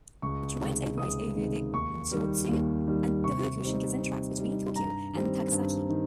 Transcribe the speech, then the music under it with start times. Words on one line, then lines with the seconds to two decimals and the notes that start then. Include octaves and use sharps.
Trains operate over the Joetsu and Tohoku Shinkansen tracks between Tokyo and Takasaki.
0.22 C#2 C#6
0.59 C3 D#3 G#3
0.98 C#2 D#6
1.35 C3 D#3 G#3
1.73 D#2 C#6
2.11 D#3 G3
2.49 D#2
2.87 D#3 G3
3.24 C3 C#6
3.63 G3 C4 D#4
4.01 C3
4.38 G3 C4 D#4
4.76 G2 A#5
5.14 D#3 G3 C4
5.52 G2
5.89 D#3